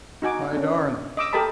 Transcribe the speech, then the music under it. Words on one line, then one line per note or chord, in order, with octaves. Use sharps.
My darling!
D#4 F#4 G#5 D6
C#4 D4
D#5 D6 E6
G4 A4 A#4 D#5 A5 B5